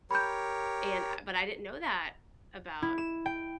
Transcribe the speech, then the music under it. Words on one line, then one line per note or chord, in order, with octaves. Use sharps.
and I but, I didn't know that about
G4 A#4 C#5 B5 G6
E4
E7
G5